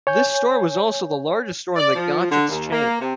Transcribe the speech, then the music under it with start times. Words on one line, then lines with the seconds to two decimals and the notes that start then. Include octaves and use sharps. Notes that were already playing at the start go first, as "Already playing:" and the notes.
This store was also the largest store in the Gottschalks chain.
0.07 C#5 G#5 G6
1.76 D5
1.95 F3
2.30 D3
2.49 D#2
2.71 A#3
3.00 C3